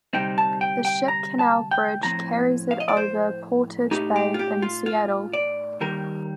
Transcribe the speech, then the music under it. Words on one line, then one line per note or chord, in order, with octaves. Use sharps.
The Ship Canal Bridge carries it over Portage Bay in Seattle.
D2 C3 G3 C4 D#4 G5
A5
G5
G5
A#5
A5
G5
A2 F3 C4 A#5
F5
D#5
D5
C5
A2 A3 D#4 G4
G4
F4
G4
F4
F4
D5
D#2 D#3 G3 A#4